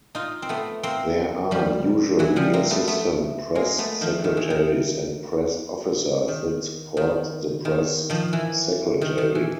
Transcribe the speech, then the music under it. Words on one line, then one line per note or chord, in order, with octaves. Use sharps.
There are usually assistant press secretaries and press officers that support the press secretary.
D#4 F4
C4
A3 B3
A#3 C4
F3 G3
E3 F#3
F3 G3
A#3 C4
A3 B3
A3 B3
G#3 A#3
A3 B3
D#3 F3
D#3
E3
D#3
D#3
D#3
D#3
D#3 F3
E3
D#3
D#3
E3